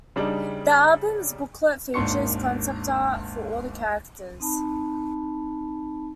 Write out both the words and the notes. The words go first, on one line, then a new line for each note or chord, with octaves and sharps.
The album's booklet features concept art for all the characters.
C#3 G3 D4 D#4
G#1 D#2 D4 C6 C#6 C#7
C4 D#4 A5 B5